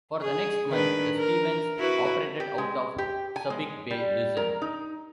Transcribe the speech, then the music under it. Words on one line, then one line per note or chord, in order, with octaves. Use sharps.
For the next month, the "Stevens" operated out of Subic Bay, Luzon.
G#4
D#3 D4 B4
A#4
E4 F#4 B4
G4
G#3
G4
G#5
G#3
G3
A#4
D#4